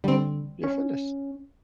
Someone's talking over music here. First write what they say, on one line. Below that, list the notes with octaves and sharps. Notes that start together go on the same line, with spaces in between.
your fitness.
D3 G3 C4
C#4